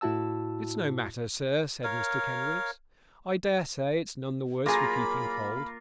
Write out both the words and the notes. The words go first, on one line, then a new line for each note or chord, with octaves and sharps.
'It's no matter, sir,' said Mr Kenwigs. 'I dare say it's none the worse for keeping cold.
A2 E4 F#4 A5 E6
A#4 C#5 F5
F#3 A#3 F4 G#4 A#4 B5